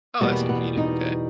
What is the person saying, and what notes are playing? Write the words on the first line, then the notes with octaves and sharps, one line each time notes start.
Oh, that's convenient, okay.
E2 B2 G3 A#3 B3
B3
D#4